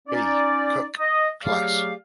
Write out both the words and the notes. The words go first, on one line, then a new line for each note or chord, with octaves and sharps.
B. Cook, Class.
C#4 D#4 D5
D#5
F#3 A3 G4 G#4 D5 F5